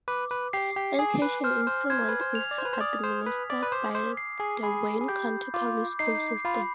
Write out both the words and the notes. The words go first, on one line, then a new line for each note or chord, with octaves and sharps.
Education in Fremont is administered by the Wayne County Public School system.
B4 D6
B4
G4 C7
G4
G#4 G#5
B4
C5 F6
C5
C5 G#6
B4
C5
F7
D5
C5
B4
C5
D5 D#6
C5
B4 B6
D5
B4
C5 D6
C5
C7
G#4
G#4 B5
G#4
G4 G6
F4 D6
D#4 C7
F4 B5